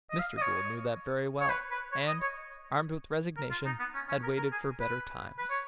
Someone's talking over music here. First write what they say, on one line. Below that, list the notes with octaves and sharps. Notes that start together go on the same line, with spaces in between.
Mr. Gould knew that very well, and, armed with resignation, had waited for better times.
D#5
F5
D#5
C#5
C#5
B4
B4
C#5
D#5
C#5
A#4
F4
D#4
B3
C#4
C#4
A#4
A#4
G#4
B4
B4
C#5